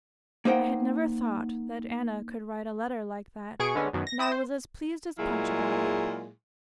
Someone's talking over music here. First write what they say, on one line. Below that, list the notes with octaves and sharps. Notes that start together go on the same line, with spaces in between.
I had never thought that Anna could write a letter like that, and I was as pleased as Punch about it.
A#3 D#4 C5 F#5 G5
B2 G#4 C#6 D7
D3 G#3 B3 C#4
F#2 B2 D#3
A#6
E4 D#6 A#6 E7
C5
A#2 F#3 G#3 E4 G#4 F5